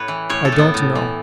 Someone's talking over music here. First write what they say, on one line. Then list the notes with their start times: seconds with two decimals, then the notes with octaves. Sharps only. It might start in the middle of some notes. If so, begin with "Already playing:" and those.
'I don't know.
Already playing: A2 B4 C#5
0.08 E3
0.30 A2 C#5
0.45 A4
0.52 A2
0.58 B3
0.74 A2
0.95 E3